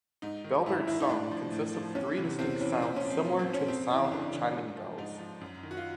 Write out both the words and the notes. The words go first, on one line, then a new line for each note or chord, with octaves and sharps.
Bellbird song consists of three distinct sounds similar to the sound of chiming bells.
G#2 D#4
D#3
G#2 E4
D#3 E4
D#4
A2 D4
F3
A2
F3
E2 C#4
C3 E3
E2 C4
C3 E3 C#4
A#2 C4
C#4
F3
C4
A#2 C#4
C4
F3
C#4
F2 C4
C#3 E3 C#4
F2 D4
C#3 E3
G#2
F3
G#2 D#4
F3
F#2
D#3
F#4
F4